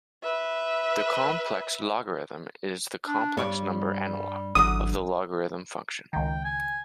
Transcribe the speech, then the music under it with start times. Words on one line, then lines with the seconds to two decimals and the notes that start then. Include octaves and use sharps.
The complex logarithm is the complex number analogue of the logarithm function.
0.23 B4 E5
3.07 D4
3.37 G2 G3 C#5 D5
4.55 G#1 D3 E3 F#3 D#6
6.13 C#2 D#3 G5
6.45 G#5